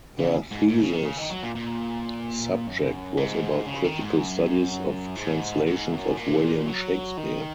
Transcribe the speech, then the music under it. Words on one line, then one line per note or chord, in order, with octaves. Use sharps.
Her thesis subject was about critical studies of translations of William Shakespeare.
C#3
G#2
G#2
C#3
D#3
C#3
D#3
F#3
A#2
A#2
F#2
G#2
C#3
D#3
G#2
F#2
G#2
G#2
F#2
A#2
F#3
D#3